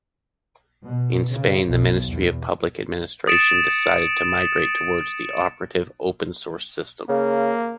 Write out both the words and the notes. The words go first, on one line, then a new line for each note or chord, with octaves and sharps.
In Spain the Ministry of Public Administration decided to migrate towards an operative open source system.
B2
C#3
B1
E2
D#6 A6 C#7 D7 E7
C#3 A#3